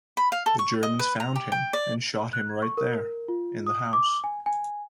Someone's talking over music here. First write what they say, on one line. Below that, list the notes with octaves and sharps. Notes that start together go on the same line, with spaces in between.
The Germans found him and shot him right there, in the house.
B5
F5
A4
C#6
D#5
B4
A#5
G4
G5
D5
F#6
G#6
C#6
A#4
F4
D#6
D6
G#5
G#5